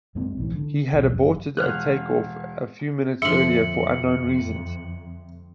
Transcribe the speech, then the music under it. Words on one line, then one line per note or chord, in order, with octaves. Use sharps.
He had aborted a take off a few minutes earlier for unknown reasons.
F#2 G#3 A#3 C4
A#1 G#2 D#3 E3
D3
B1 E2
F#1 F#2
E1 F6 F#6
F2 D3 F3 E5 C#7 F#7